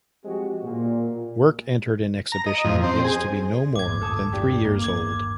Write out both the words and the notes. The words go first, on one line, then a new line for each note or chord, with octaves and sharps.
Work entered in exhibition is to be no more than three years old.
F3 G3 G#3 C4 F#4 G4
A#2
A#5
D#5
F2
C4
G#4
G1 D#2 A2 D6 G#6
A4 A5 D#6
G2 D4 G4
A#3
D6 G#6